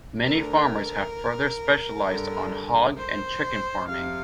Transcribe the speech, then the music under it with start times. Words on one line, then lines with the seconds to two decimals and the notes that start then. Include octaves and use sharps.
Many farmers have further specialized on hog and chicken farming.
0.24 D2 D3 A#4
2.07 G2 D3
2.97 C5
3.88 F2 C3 F5